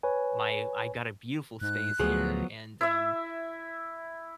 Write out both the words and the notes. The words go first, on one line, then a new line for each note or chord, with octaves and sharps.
my I got a beautiful space here, and, um,
B4 C#5 G#5
G#2 F#6
D2 F3 F#3 B3 G#4
E4 E5